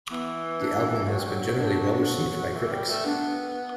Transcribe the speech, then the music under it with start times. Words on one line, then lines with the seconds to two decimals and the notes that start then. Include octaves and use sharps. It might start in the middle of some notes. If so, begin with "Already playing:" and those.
The album has been generally well received by critics.
0.10 E3 B3
0.60 D4
1.08 F#3
1.19 G3
1.25 F#3
1.41 F#3
1.58 D4
2.55 E3
2.72 G3
2.88 A3
3.05 B3 D4